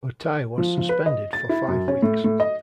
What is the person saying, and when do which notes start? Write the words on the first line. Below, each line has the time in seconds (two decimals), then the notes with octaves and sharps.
Utai was suspended for five weeks.
0.58 F3
0.78 F3
0.89 B4
1.06 D#5
1.33 A6
1.49 E4
1.68 F#2
1.88 C#4
2.02 A2
2.24 A2
2.40 D#5